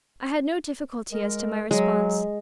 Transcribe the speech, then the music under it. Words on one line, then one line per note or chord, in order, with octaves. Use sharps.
I had no difficulty as to my response.
G#3 A#4
F#3 G#3